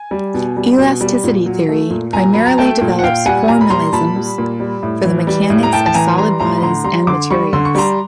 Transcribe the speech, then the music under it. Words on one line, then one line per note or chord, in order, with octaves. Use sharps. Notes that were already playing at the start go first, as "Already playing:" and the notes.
Elasticity theory primarily develops formalisms for the mechanics of solid bodies and materials.
Already playing: G#5
G3
B2
G3
B2
G3
A#2
F#3
A3
A#2
A#2 G#5 A#5
F#3 B5
A#5
A3 G5 A5
A#2
F#5
A#2 F5 G5
G3 F#5 G#5
A#2 G#5 A#5
B5
G3 A#5 C6
A#2 A5 B5
G3
A#2
G3
A2
E3
G3
A2
A#5
A2 G5 A5
A5
E3 G#5 A#5
G3 A#5 C6
A2 A#5 C6
B5
D3 A#5 C6
G3 A#5 C6
D3 C6 D6
G3 B5 C#6
D3 C6
C#6
G3 A#5 C6